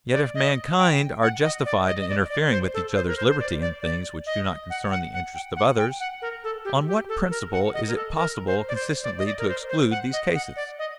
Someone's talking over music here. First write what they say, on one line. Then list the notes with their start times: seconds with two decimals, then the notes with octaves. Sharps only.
Yet, if mankind are justified in interfering with each other's liberty in things which do not concern the interests of others, on what principle is it possible consistently to exclude these cases?
0.13 D5
0.35 D#5
0.79 G5
1.22 F#5
1.44 D#5
1.66 D5
1.87 D#5
2.00 D#5
2.09 D5
2.30 D5
2.52 C5
2.74 A4
2.96 C5
3.07 A#4
3.17 C5
3.29 C5
3.40 D5
3.61 D5
3.82 D5
4.27 D#5
4.70 F#5
4.91 F#5
5.13 F#5
5.35 G5
5.56 F#5
5.78 G5
6.00 F#5
6.22 A#4
6.44 A4
6.65 G4
6.87 G4
7.09 A4
7.31 A#4
7.53 F#5
7.74 D#5
7.88 A#4
7.96 A4
8.17 A#4
8.47 C5
8.69 D5
8.75 C5
9.04 D5
9.19 D#5
9.26 D5
9.39 A#4
9.49 C5
9.69 C5
9.91 F#5
10.13 D#5
10.35 F#5
10.56 D5
10.79 D#5